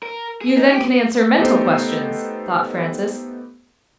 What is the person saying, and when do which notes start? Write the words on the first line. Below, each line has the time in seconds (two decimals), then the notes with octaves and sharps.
"You then can answer mental questions," thought Francis.
0.03 A#4
0.41 G#4
0.57 D#4
0.71 G4
1.39 A3 B3 D#4 G4 A4 C5